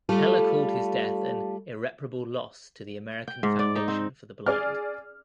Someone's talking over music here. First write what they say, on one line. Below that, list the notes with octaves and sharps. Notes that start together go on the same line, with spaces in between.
Keller called his death an "irreparable loss" to the American Foundation for the Blind.
G3 A3 F4 A4
G5
G#2
D5
D#4
C4
G#4 D5 F6